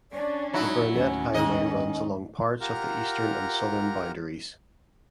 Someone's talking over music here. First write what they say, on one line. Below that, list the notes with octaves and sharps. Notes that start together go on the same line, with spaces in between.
The Burnett Highway runs along parts of the eastern and southern boundaries.
C#4 D4 D5
F#3 D#4 E4 F#4
D#2 A2 C#4
D#3 D#5
F4 G4 A#4 F#5 A#5 F6